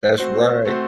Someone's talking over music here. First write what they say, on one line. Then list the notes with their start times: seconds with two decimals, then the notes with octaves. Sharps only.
that's right.
0.18 A3 C4 F#4 C5
0.65 A3 C4 F#4 C5